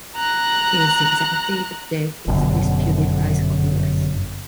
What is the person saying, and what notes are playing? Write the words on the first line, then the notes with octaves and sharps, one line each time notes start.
His exact day of death is disputed by scholars.
A#5 F#6
G1 F#2 B2 D3